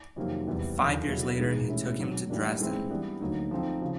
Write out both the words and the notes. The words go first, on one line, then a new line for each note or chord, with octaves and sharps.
Five years later he took him to Dresden.
F2 C3 D#3 F#3 A#3
E2 C3 E3 G3
D#2 D3 F3 A#3
B2 F#3 B3 E4 A4
E3 G#3 B3 D#4
A2 E3 G#3 C#4 E4
G#2 D#3 F#3
E3 G3 A#3 D4
G#2 E3 G#3 C4
E3 G3 B3 D4
D2 D3 F#3 A#3 D#4
F3 A3 C4 D#4
C#3 F3